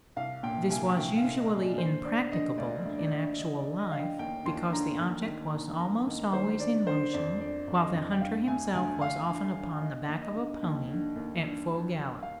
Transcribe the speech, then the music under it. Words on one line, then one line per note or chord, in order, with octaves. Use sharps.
This was usually impracticable in actual life, because the object was almost always in motion, while the hunter himself was often upon the back of a pony at full gallop.
C2 F5
A#2 G5
C2 G#5
C2 G5
F5
C2
D#5
A#2
D5
D3 C5
D3 D5
D3 D#5
D2 D5
D2
D5
D3
D3 D#5
D5
D3
D#5
D3 F5
G5
D#2 G5
D#2 C6
D3 A#5
D#2
D#3
D#2
D#2 A#5
D#2 D#5
D#3 C5
D3 D5
D3 C5
F2 D5
D3 D5
F2
D#5
F2
G5
D3 F5
D2 G#5
D2 G#5
D2 F5
D3
D3
D3 D#5
D#2
D#5
D3
D#2
D3
D#2
G2
G2
G2
F5